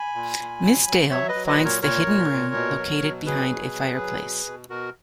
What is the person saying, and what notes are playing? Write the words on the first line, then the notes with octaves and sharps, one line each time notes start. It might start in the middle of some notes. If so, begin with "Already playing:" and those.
Miss Dale finds the hidden room, located behind a fireplace.
Already playing: G#5 B5
A#2
A#2
F#3
F#3
F#3 C#5 E5
B4 D#5
F#3
B4 D#5
A#2
A#4 C#5
A#2 A#4 C#5
A#2
A#2
B2
F#3
B2
F#3 G#4 B4
B2
F#3
F#3
B2
B2
B2 F#4 A#4